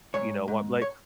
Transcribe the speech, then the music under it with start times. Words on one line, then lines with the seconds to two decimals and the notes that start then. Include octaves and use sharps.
You know, what, like
0.14 G#2 C#5
0.48 G#2
0.82 C#5